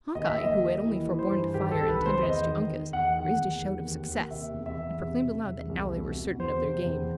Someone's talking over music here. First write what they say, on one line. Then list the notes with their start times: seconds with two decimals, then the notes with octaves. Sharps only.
Hawkeye, who had only forborne to fire in tenderness to Uncas, raised a shout of success, and proclaimed aloud that now they were certain of their game.
0.15 D#2 D#5
0.27 E5
0.38 D#2 D#5
0.62 D#2
0.85 E3
1.08 E3
1.19 C5
1.31 G2
1.54 D#3 G4
1.71 A4
1.77 C2
1.88 B4
2.01 D#3
2.06 C5
2.23 E2 D#5
2.46 D#3
2.69 D#3
2.93 E2 F#5
3.15 D#3 F#5
3.39 E2
3.62 D#2
3.85 D#2
4.08 D#2
4.31 C3 E5
4.54 E2
4.66 E5
4.77 E2
5.01 C3
5.24 C3
5.46 E2
5.69 C2
5.93 B2
6.16 B2
6.39 E2 C5
6.63 C3
6.86 E2